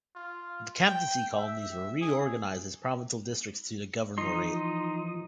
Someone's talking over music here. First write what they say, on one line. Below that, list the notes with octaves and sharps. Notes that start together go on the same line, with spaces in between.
The captaincy colonies were reorganized as provincial districts to the Governorate.
F4
G5
E5
G#4
E3 F3 D#4 C6 D#6